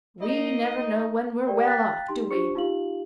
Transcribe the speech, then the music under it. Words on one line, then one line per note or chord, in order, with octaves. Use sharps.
We never know when we're well off, do we?
A#3 D#4 D#5
G4 A#4 D5 G5
F5 G5 A#5 F#6 A6 B6
D#4 G4 C6
D4 F4 G4 C5 C#6 C#7
D#4 F4 G4 F5 F#7